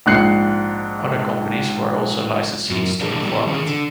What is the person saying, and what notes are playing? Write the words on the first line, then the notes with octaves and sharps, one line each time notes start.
Other companies were also licensees to the format.
A#1 G#2 F#6 C7 C#7
F#2
E3 G3 G#3 A#3 D4
G3 B3 E4 G4
D#3 F3 C#4 G#4
D3